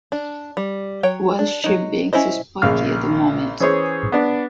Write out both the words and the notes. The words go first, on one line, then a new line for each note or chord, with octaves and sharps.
Why's she being so spiky at the moment?
D4
G3
F#3 C#5 G5
D4
F#3 D#4
C#4 E4 C5 D#5
A#1 C#3 F5 F6
E3 C#4 G#4 C5 C#5
B3 D4